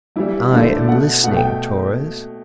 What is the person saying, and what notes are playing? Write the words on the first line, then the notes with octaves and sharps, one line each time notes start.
"I am listening, Torres."
G2 E3 G3 E4
G2 D3 A3 D4
E4
D5
B2 A3 F#5
B2 A3 F#5
G5